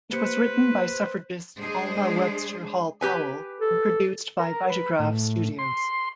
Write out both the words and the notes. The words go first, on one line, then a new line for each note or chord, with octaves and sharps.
It was written by suffragist Alma Webster Hall Powell and produced by Vitagraph Studios.
A#3 G4 B4 C5 C#7
G#3 D4 G#4 C5
G4 B4 G#5
A4
A#4
B4
A2
C6